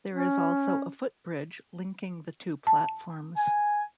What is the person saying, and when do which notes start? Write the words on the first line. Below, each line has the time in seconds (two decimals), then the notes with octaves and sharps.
There is also a footbridge linking the two platforms.
0.14 C#4
2.67 A5
3.37 G#5